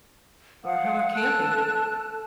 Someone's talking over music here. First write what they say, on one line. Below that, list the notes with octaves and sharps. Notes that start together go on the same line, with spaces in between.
Or how 'bout camping?
F5 F#5
A4 A5 F#6